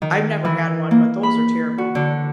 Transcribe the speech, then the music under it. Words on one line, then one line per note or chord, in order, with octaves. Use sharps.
I've never had one, but those are terrible.
D#3
E3
A#3
B5
F#4
D3